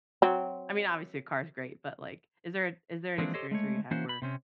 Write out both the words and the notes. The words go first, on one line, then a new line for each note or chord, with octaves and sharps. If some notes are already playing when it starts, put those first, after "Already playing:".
I mean, obviously, a car is great, but, like, is there a is there an experience where you had where,
F#3 C4
E3 F3 G#3 A#3 C4 D4
G4 A4 C5 C#5 D#5
G#3 A3 C#5
E3 A#3 C#4 F#4 C5
B5
C3 C4 C#4